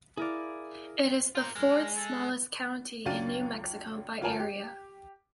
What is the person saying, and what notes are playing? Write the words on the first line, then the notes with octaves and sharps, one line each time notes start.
It is the fourth-smallest county in New Mexico by area.
E4 G#4 A#4 D5 F5
F4 A#4 C5
G#3 A#4
A4
C#2 F#2 D4 F5 A6 D#7
G1 F4 A#4 G#5 A5
G4